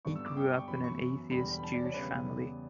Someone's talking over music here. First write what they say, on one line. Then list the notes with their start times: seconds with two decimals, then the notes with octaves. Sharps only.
He grew up in an atheist Jewish family.
0.05 G2 D3 G3 B3 C#6
0.15 E6
0.26 D6
0.37 G5
0.57 C#6
0.68 F#2 E3 B3 B5
0.84 C#6
1.31 E1 E2 D3 G3 B5
1.52 B5
1.63 A5
1.74 D5
1.84 C#5
1.94 E2 C#3 G3 B3 B4